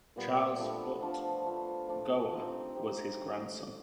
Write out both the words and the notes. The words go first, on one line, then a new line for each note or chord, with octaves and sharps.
Charles Foote Gower was his grandson.
A#2 G3 B3
F3 A3 D4
F3 A3 D4
F3 A3 D4
F3 A3 D4
C4 D#4 G4
C4 D#4 G4